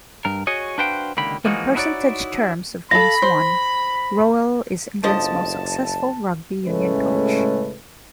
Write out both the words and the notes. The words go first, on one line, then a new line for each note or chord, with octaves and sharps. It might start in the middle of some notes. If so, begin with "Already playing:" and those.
In percentage terms of games won Rowell is England's most successful rugby union coach.
G2 A#4
F#4 G#4 C#5 D#5
D4 F#4 B4 C5 F5 G5
C#2 D3 D#3 A#3 G4 B5
E3 F3 G#3 A#3 D#4 F#4
D#4 E4 F#4 G#4 C#5 D5
A4 F5 B5 A#6
C5
F#1 D3 F3 D#5 A5
A2 C#3 G#3 A3 C#4 B4